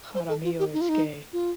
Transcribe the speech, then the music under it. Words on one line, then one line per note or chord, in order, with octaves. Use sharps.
Jaramillo is gay.
C5
A4
F4
G4
D#4
F4
D#4
F4